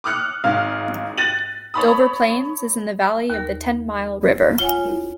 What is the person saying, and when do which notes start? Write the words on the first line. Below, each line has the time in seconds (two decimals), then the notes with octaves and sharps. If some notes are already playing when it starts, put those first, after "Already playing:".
Dover Plains is in the valley of the Ten Mile River.
0.04 D6 D#6 F6 F#6 C#7
0.44 G#1 G#2 F5 F6
1.17 F#6 A6 A#6 D#7 F#7
1.74 C#5 A5 B5 D#6
3.30 D#2 A#4
4.59 F4 C#5 F#5 G#5